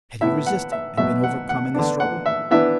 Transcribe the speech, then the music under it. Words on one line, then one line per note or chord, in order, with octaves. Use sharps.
Had he resisted, and been overcome in the struggle?
A2 E3 B3 E4 E5
F#5
E5
B2 F#3 B3 E5
F#5
F#5
D3 B3 D4
F#5
E5
E3 B3 D4 E5